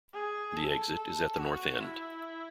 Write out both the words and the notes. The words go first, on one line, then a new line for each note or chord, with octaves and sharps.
The exit is at the north end.
G#4
A4
A4
F#4
E4